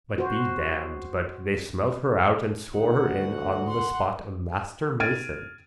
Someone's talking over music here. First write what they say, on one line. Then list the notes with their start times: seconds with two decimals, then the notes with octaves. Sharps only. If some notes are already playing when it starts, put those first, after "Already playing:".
But be damned but they smelt her out and swore her in on the spot a master mason.
0.18 F#4 C5
2.74 D2 D#4 F#5
3.15 F#4
3.67 F#5 C6
5.00 F6 G#6 A6 D7 D#7